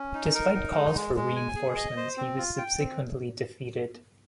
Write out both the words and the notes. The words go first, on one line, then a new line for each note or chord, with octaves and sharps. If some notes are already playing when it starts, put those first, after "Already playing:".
Despite calls for reinforcements he was subsequently defeated.
Already playing: C#4
D#4
A#4
D#4
G#3
G#3
G#3
G#5
G#4
D#5
C5
C4
F4
G5
C4